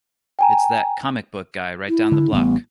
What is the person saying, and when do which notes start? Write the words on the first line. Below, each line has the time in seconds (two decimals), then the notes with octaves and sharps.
It's that comic-book guy right down the block.
0.39 G5 G#5 A#5
1.88 E4
2.12 D3
2.33 A1 G3 B3